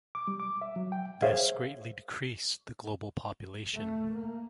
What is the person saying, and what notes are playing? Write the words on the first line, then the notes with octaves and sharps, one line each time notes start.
This greatly decreased the global population.
D6
G3
D6
E5
F#3
G5
G#4 A#4 C5 C#5 E5 F5
A3
A#3